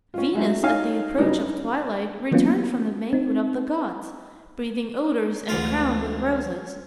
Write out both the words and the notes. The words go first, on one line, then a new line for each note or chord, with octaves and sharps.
Venus at the approach of twilight returned from the banquet of the gods, breathing odors and crowned with roses.
C#4 F4
F#3 G#3 A3
D#4 C#5 F5 G#5
C#3 F#3 G3 B3 D#4
F#2
E3 F#3 A#3 B3 C#4 F4
C4 D#4
A1 D2 G#3 F4